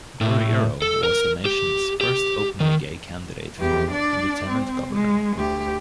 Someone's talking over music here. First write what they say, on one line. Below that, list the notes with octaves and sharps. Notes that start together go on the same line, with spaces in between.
Guerriero was the nation's first openly gay candidate for lieutenant governor.
A2
A4
A#4
G4
G4
D#3
E2 G4
D4 D5
C4
G#3
D2 G4